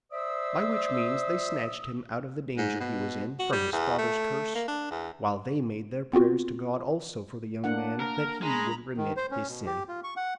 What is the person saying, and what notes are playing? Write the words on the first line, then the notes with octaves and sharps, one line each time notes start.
By which means they snatched him out of the danger he was in from his father's curse, while they made their prayers to God also for the young man, that he would remit his sin.
C5 D5 E5 D#6 E6
G#2
B2
F#4
G3
E2
A3
A#3
D4
E2
B3 C4 F4 F#4
A#3 D4 F#5
A#4
G#3 A#5 B5
D#3
C5
C#4
B2
G4
F4
C#6
F#5